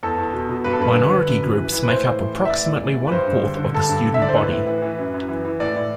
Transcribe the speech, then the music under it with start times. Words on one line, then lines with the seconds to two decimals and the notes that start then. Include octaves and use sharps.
Minority groups make up approximately one-fourth of the student body.
0.03 E2 A4
0.18 E2
0.33 B2
0.49 B2
0.64 G2 B4
0.73 A4
0.79 G2 B4
0.95 D3
1.11 D3
1.26 F#2
1.42 F#2
1.57 E3
1.73 E3
1.83 B4
1.88 A2 C5
2.04 A2
2.19 E3
2.35 E3
2.45 E5
2.50 A2 D5
2.66 A2
2.81 E3
2.97 E3
3.07 B4
3.11 G2 C5
3.27 G2
3.43 D3
3.58 D3
3.74 G2 A4
3.89 G2
4.05 D3
4.14 E5
4.20 D3 D5
4.28 C5
4.36 A2 B4
4.51 A2
4.67 E3
4.82 E3
4.98 F#2
5.14 F#2
5.29 E3
5.45 E3
5.60 A2 D5
5.76 A2